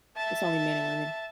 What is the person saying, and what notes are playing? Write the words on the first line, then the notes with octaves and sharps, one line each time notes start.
There's only men and women.
E5 A5